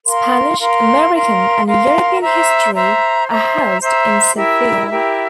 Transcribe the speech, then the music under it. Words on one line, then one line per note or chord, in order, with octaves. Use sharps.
Spanish American, and European history, are housed in Seville.
A#4 F5 C6
A#4 F5 C6
A#4 F5 C6
A#4 F5 C6
C5 E5 A#5
C5 E5 A#5
C5 E5 A#5
C5 E5 A#5
E4 G4 A#4 E5
E4 G4 A#4 E5